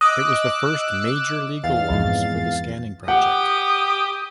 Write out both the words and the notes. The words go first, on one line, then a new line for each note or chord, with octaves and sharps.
It was the first major legal loss for the scanning project.
D#5 D6 E6 F#6
E2 F5 A6
F2 G#2
G4 F#5 D#6